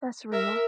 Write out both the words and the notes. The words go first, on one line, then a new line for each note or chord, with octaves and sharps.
that's real.
A#4 E5